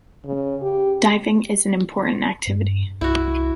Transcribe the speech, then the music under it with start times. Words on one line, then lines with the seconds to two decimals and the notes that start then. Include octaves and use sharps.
Diving is an important activity.
0.25 C#3
0.62 G4
2.47 G2
3.01 C2 E4 F#4